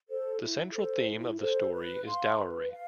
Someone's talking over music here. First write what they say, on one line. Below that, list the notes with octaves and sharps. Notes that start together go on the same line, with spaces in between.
The central theme of the story is dowry.
A4 C5
E4
A4 C5
E4
A4 C5
B4
F5 C6
B4
F5